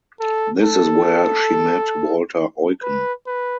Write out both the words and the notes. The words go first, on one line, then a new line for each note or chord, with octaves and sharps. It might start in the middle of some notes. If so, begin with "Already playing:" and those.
This is where she met Walter Eucken.
A4
A4
B4
B4